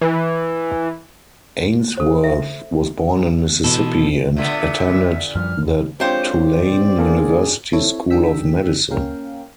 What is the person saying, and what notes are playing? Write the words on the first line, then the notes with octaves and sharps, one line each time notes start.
Ainsworth was born in Mississippi and attended the Tulane University School of Medicine.
E3
A4 C5
E5
B2 E3 A4
A#2 D3 B3 E5
F#2 F3 G3 F6
E2
G#3 C4 D4 F4 G4 C5 C#5 G5
C4 D5
A#3 D4 G#4 A4
C4 E4 A4 C#5
D#3 D4 G#4 G5 E6 B6
A#3 C#4 A#4 F5 G5